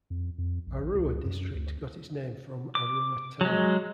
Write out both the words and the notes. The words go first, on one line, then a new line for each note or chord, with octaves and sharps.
Arua District got its name from Arua town.
F2
F2
A#1
A1
C#2
F#2
D2
D6
F#3 G#3